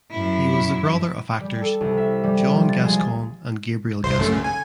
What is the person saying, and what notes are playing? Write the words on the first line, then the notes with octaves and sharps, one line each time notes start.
He was the brother of actors Jean Gascon and Gabriel Gascon.
F#2 E4
G3
A4
C2
E5
G3
F3
A6
G#3
C2 C5 C6
F#2 D3 A3
C#3
G#5